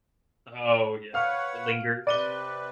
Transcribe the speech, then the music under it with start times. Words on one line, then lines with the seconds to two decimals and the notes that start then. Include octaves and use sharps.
Oh, yeah. It lingers?
1.14 B4 C#5 F5 F#5 F6
2.07 C3 B4 D5 D#7 G7